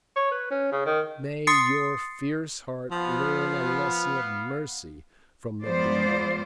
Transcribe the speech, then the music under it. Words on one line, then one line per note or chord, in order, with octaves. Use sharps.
May your fierce heart learn a lesson of mercy from the deed.
C#5
B4
C#4
C#3
D#3
C6 D#6 A6 C7 C#7
F3 B3 F5
F3 G#3 B3 F4 C5 D5